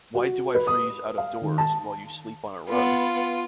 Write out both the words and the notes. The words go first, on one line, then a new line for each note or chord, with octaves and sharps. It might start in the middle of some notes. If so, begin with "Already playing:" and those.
Why do I freeze out of doors while you sleep on a rug?
F#4
B4
D#6
F5
D#3
A5
B3 F4